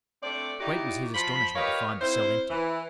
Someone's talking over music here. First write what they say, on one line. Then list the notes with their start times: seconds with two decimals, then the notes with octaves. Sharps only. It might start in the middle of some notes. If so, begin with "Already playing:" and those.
Great was his astonishment to find the cell empty!
0.23 A3 C4 D4 D5
0.60 D#4 E4 F#4 G4 D5
1.14 F3 B5 C6
1.56 G4 A#4 B4 C#5 D#5 F5
2.01 C4 E4 F4 C5
2.50 E3